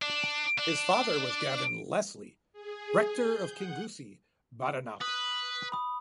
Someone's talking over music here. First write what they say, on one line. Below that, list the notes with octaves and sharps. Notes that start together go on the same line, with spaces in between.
His father was Gavin Lesley, rector of Kingussie, Badenoch.
D4
D4
G#4
G6
F#5
B4 D#6
B5 D#6